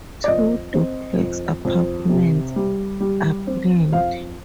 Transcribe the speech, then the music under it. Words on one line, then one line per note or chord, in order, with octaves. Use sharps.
Two duplex apartments are planned.
D5
F2 D#5
C4
F2
F2
C3
G3
G3
C4
F2 F5